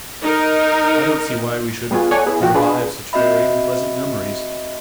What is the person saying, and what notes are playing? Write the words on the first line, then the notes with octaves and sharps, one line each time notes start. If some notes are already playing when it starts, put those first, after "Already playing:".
I don't see why we should revive such very unpleasant memories.
D#4 A#4
G3 B3 F4 F#4 G#4
A4 C#5 D5 F#5 G#5
B3 E4 G#4
B2 F3 F#4 G4
D4 F4 G#4 B4
C4 F#4 D#5 E5 B5